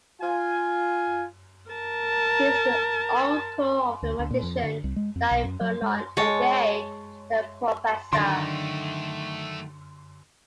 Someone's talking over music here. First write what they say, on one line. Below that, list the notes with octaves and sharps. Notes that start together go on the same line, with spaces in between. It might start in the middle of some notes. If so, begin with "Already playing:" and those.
He is the uncle of the magician Dai Vernon aka 'The Professor'.
F4 G#5
A#4 A5
D2
D2
A#2
F2
D3
C2
G#3
F2
B1
F#2
F#3
G#3
G#3 C#5 A5
D3 D#3 F#3 A3 D4 C6 A6 A#6